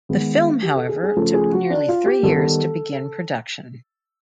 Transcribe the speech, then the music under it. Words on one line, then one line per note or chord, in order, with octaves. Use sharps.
The film, however, took nearly three years to begin production.
D#3 G#3 B3
G4
A4
G#4
G#4
C#3 F3 A3 A4
G#4
F#4
D4
F4
G4
D#3 G3 B3 A4